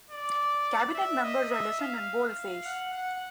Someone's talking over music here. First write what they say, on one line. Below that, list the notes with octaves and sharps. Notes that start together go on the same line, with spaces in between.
Cabinet members are listed in bold face.
D5
E5
D#5
E5
F5
F5
F#5
F#5